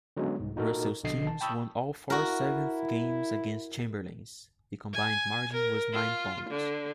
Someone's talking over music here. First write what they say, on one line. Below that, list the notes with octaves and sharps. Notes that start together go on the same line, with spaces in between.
Russell's teams won all four seventh games against Chamberlain's-the combined margin was nine points.
D3 F#3 G#3 B3 C#4
C2 G#2
A#2 D#4 F#4 A4 A#4
A#1 B2 D3 D#5 C7
A5
G5 A5 B5 C#6 D#6 E6
E4 F#4 A#4
G#5
A#4
F4
D3